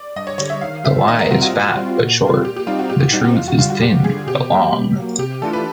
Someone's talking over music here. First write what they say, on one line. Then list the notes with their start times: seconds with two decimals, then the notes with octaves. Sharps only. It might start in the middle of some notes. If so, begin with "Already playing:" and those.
The lie is fat but short, the truth is thin but long.
Already playing: D5
0.16 G2 D#5
0.27 C#5
0.38 D3 G3 C#5
0.50 E5
0.61 D#3 F5
0.84 G3 C4 F4 E5
1.08 D#3 D#5
1.19 A#4
1.30 G3 C4 F4 F#4
1.42 F#4
1.53 A#2
1.76 G3 C4 F4
1.99 A#2
2.21 G3 C4 F4
2.44 A#2 G4
2.56 G4
2.67 G3 C4 D#4 F4
2.79 F#4
2.90 A#2 G4
3.01 G4
3.13 G3 C4 D#4 F#4
3.24 F#4
3.35 F2 F4
3.48 F#4
3.58 D3 G3 F4
3.70 F#4
3.81 F2 G4
4.04 D3 G3 G#4
4.27 B2 G4
4.50 F#3 A#3
4.73 B2
4.96 F#3 A#3
5.19 C3 G4
5.42 E3 A3 D4 F4 A4
5.53 B4